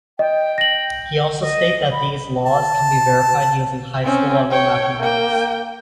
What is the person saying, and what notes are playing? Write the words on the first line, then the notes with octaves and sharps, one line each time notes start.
He also states that these laws can be verified using high-school level mathematics.
D#5 G5
A#6 F#7
D#5
B5
A5
C4 C#4
C#5 G5
A#3 G5